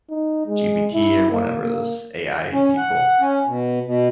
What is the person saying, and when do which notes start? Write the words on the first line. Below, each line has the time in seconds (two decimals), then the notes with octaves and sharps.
ChatGPT or whatever, those AI people
0.10 D#4
0.47 G#3
0.93 E4
1.32 A#3
1.63 A#3
2.53 C#4
2.77 F#5
3.21 C#4
3.46 B2
3.86 B2